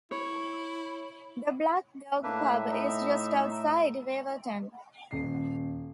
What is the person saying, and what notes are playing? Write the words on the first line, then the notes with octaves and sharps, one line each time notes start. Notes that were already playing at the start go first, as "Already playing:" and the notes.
The Black Dog pub is just outside Waverton.
E4 C#5
A2 A#3 D4 B4 E5
D#4
D#1 C7